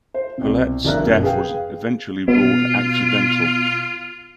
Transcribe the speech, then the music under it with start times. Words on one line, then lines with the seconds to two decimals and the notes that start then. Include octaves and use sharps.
Hulette's death was eventually ruled accidental.
0.14 C5
0.38 C2 B2
0.84 G1 F3 D4 A#4 E5 F#6
1.06 F#2 B2
1.23 G#4 B4 F5 G5
2.28 B2 F4